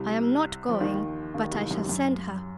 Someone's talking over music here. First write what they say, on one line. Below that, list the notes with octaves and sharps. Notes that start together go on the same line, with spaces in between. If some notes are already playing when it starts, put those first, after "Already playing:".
"I am not going, but I shall send her."
Already playing: C2 C3
F3
D#2 D#3
D#2 D#3
C2 C3
F#2
F#2